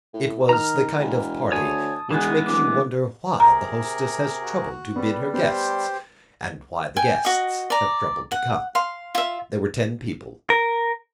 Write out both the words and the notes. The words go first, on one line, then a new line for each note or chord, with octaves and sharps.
It was the kind of party which makes you wonder why the hostess has troubled to bid her guests, and why the guests have troubled to come. There were ten people.
A2
D#3 A#5 F6
E1
D2 C#5 G#5 A5 D#6
E1 E3 G#3 B3 G#4
D1 D6
C3 G#4 A#4 A#5
F#4
G3 B3
B3 G4 C5 C6
G5 G#5
F#4 D#5
D5 A#5
F#5
F5 C6
F4 E5
A#4